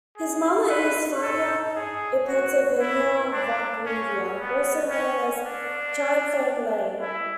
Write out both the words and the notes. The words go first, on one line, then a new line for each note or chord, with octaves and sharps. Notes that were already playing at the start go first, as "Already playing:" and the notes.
His mother is Faina Ipatyevna Vakhreva, also known as Chiang Fang-liang.
G#4
B4
A4
G#4
F#4
E4
D4
C#4
B3
C#4
D4
E4